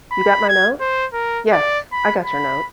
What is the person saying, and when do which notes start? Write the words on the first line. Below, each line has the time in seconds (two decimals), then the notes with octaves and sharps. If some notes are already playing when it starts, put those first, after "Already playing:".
You got my note? Yes, I got your note.
0.11 B5
0.49 G#6
0.80 C5
1.13 A#4
1.52 D5
1.92 B5
2.25 B5